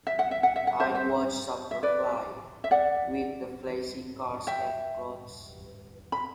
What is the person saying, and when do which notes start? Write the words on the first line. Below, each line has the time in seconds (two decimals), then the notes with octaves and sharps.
I'd watch Superfly, with the flashy cars and clothes.
0.07 E5
0.19 F#5
0.31 E5
0.43 F#5
0.56 E5
0.67 F#5
0.80 C5 E5
0.95 C5 E5
1.71 E5
1.83 B4 D5
2.64 E5
2.71 D5 F#5
4.47 E5 G5
6.12 B5